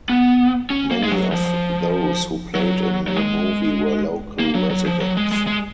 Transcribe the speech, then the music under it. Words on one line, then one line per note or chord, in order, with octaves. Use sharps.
Many of those who played in the movie were local residents.
B3
C#4
A#3
G#3
F#3
F3
F#3
F#3
G#3
A#3
F#3
F#3
F3
F#3
G#3
G#3
G#3